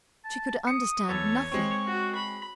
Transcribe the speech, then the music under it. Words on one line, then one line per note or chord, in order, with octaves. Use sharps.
She could understand nothing.
A5
D#6 C#7
E2 A4 C#5
G#3 C4 C#6
F#4
B5